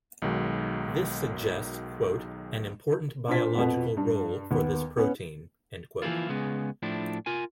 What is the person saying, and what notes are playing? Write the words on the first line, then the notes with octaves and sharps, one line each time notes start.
This suggests "an important biological role for this protein".
B1 D#3 F#3 G#3
A#2 D4 C5 B6
F2 B2 F3 B3
G2
D#2 B3
B3 C#4
E3 F3 A#3 E4 F4
C#3 G#3 B3
A2 F3 D4 E4
F4 A#4 G#5